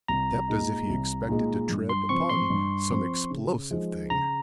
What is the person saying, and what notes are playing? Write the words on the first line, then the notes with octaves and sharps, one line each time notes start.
He stepped as if he expected to tread upon some explosive thing.
C2 A#5
A#2 G#3 D#4
C2
A#2 G#3 D#4
G2
C6
F3 C4 C#6
C6
G2
F3 C4
C#3
F3 G#3 D#4
C#3 A#5